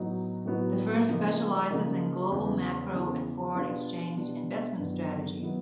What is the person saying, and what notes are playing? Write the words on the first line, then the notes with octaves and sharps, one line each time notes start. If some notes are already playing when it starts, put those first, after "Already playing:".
The firm specializes in global macro and foreign exchange investment strategies.
Already playing: A2 F#3 B3 D#4 F#4
A2 F#3 B3 D#4 F#4
C#3 F3 A#3 D#4
C#3 F3 A#3 D#4
E2 C#3 E3
E2 C#3 E3
B2 G3 B3 D4 F4
B2 G3 B3 D4 F4
G2 D#3 F#3 B3 E4
D#3 F#3 B3 E4